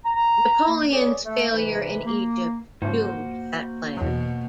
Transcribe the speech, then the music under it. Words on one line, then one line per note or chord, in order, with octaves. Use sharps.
Napoleon's failure in Egypt doomed that plan.
A#5
A#3
C#4 G#4 A4 B4 C#5 D5
A3
G#2 C3 E3 B5
A#3
G#2 C#3 F3 A#3 F#4 C5
E2 B2 F#3